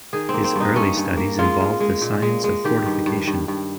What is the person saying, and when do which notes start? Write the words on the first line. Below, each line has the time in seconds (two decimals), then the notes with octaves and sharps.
His early studies involved the science of fortification.
0.13 D#3 G#4
0.29 A#3 C4
0.44 C4
0.56 G2 D#4
0.76 G2 C#4
0.97 G2
1.17 A#3
1.39 G#3 F4
1.60 G#3
1.80 G#3
2.02 A#2
2.22 G#3
2.44 G#3
2.64 D#3 G4
2.86 G2
3.06 G2
3.27 G2
3.48 G2